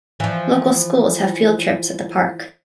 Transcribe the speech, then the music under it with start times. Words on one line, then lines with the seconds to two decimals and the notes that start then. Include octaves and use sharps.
Local schools have field trips at the park.
0.20 E3 F3